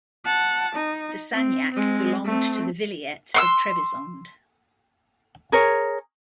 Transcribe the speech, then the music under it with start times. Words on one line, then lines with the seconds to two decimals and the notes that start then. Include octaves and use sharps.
The sanjak belonged to the vilayet of Trebizond.
0.24 F#5 A5
0.75 D#4
1.32 C4
1.72 G#3 C4
2.25 A3 C4
3.34 C6 C#6 E6
5.52 G#4 A#4 C#5